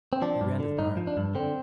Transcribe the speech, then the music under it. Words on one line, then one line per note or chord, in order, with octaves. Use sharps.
We ran to the barn.
C4
F3 D4
G2
D3
G2 D#4
F3
D4
G2
D3 C4